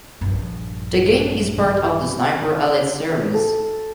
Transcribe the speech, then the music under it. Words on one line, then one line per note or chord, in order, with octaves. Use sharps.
The game is part of the Sniper Elite series.
A#1 G2
A4